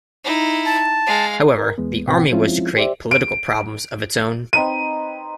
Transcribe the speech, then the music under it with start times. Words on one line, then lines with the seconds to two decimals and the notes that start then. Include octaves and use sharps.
However the army was to create political problems of its own.
0.25 D#4 E4
0.66 A5
1.07 G#3 F5
1.58 A#4
1.78 E2 G#3 B3
2.07 G#2 B2 B3 C4 F#5 G5
2.32 F3 G#3 C4 C#4 E4 F4
2.77 G4 C5 D5 E5
3.11 D7
4.53 C4 D#4 B4 D#7